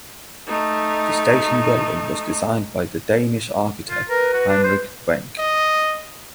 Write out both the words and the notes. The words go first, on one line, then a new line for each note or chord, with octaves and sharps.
The station building was designed by the Danish architect Heinrich Wenck.
A3 D#4
F4
A#4 B4
F#4
D4
C5
D#5